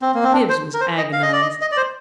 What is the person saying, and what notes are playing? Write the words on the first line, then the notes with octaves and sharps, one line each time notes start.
Bibbs was agonized.
C4
A#3
C4
D4
C5
A#4
C5
D#5
F5
D#5
D5
D#5
D#5
D5
C5